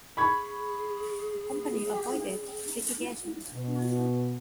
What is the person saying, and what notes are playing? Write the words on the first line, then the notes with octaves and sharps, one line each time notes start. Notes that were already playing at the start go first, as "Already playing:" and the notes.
The company avoided Litigation.
G#4 B5 C#6 G#6
B2